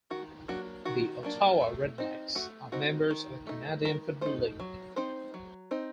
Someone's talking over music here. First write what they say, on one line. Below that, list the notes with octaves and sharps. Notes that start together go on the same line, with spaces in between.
The Ottawa Redblacks are members of the Canadian Football League.
D#3 F#4
F#3 A#3 D4 F#4
D#3 F#4
F#3 A#3 D4
A3
C4 D#4
A3 F#4
C4 D#4 F#4
D#3
A3 D#4
D#3 A#4
A3 D#4 C5
F#3
C4 D#4 C5
F#3
C4 D#4